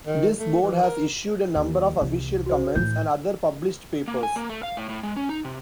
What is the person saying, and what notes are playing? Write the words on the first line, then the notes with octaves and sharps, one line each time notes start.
This board has issued a number of official comments and other published papers.
D#3
A3
E3
A#4
D#2
C2 E3
F#4 C5
A2 E3 G6
A#3
G#5
A#3
A3
F5
A2
A2
G#3
C#4
D#4
C3